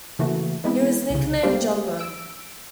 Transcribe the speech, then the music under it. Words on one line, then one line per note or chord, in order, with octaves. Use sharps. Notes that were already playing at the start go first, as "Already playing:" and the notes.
He was nicknamed "Jumbo".
C#3 E3 A3 A#3 F#4
E3 G#3 B3 C4 E4
C2 C#3
G3 A3 A#3 G4 C5 F5
E6 D7